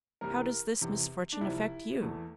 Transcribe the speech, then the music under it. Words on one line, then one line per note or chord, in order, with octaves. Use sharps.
How does this misfortune affect you?
C2 C3 E3 G3 A#4
E2 C3 E3
D4
C2 C3 F3 E4
E2 E3 A3